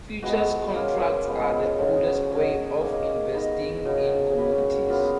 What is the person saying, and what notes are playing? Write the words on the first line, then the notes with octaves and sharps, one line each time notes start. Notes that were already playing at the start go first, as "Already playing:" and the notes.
Futures contracts are the oldest way of investing in commodities.
F3 G#3 B3 F#4
A#3 C#4 F4
F3 G#3 B3
C#3 F3 B3 F#4
B2 F#3 C#4 G#4
A#3 D#4 G#4 D#5
B3 D#4 A#4 D#5
C#3 F3 B3 F#4
A#3 C#4 F#4 B4
A#2 F#3 B3 F4